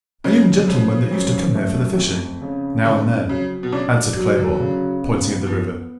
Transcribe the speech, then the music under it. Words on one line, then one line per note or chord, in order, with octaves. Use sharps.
"A young gentleman that used to come here for the fishing, now and then," answered Claybourne, pointing at the river.
F#2 C#3
D3
C#3 F3
F#2
A3
F2
C#3
F2 D3
C#3 F#3
B2
C#3 D4
F#3
D3
C#3
B3
F3 B3